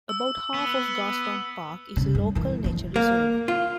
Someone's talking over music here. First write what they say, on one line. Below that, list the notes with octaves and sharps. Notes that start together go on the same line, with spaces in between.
About half of Garston Park is a Local Nature Reserve.
E6
B3
C#3 G3
G2
D#3 E3
E3 F3
A#3
F4